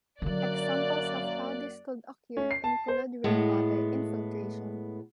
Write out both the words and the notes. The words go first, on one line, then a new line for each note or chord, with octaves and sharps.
Examples of how this could occur include rain water infiltration.
F#2 D3 F#3 A#3 D5 F#6
C#4
C7
A5
C5
A2 G#3 B3